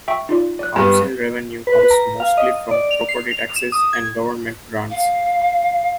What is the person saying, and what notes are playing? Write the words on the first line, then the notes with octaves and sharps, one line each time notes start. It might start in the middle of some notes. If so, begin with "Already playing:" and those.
Council revenue comes mostly from property taxes and government grants.
E5 G5 C#6
D#4 F4 D5
D5 F#6
G2 B3
B4
B4
A#5
F5
D#5
D5
F7
C7
F7
E7
D#6
G#6
F5